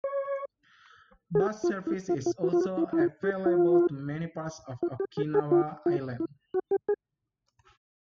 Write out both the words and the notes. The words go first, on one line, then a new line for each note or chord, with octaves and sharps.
Bus service is also available to many parts of Okinawa Island.
C#5
G#4
G4
F4
E4
F4
F4
F#4
F4
F#4
E4
E4
F4
G4
F4
F4
G4
G#4
G#4
F4
F4
E4
F#4
G4
G#4